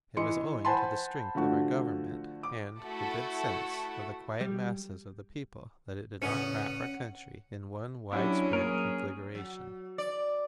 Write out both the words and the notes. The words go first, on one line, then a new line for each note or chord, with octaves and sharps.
It was owing to the strength of our Government and the good sense of the quiet masses of the people that it did not wrap our country in one widespread conflagration.
E3 D#5 C6 C#7
C5 F#5 G#5 A5 B5 C6
D3 F3 A3 F#4
D6
A3 E4 F#4 A4 F#5
G3
E2 A2 C#3 C#4 F#5 C#7 D#7
F#3 C#4 D4 E4 G4 F#5
A#3 G#4 A#4 C#5
F#3
D5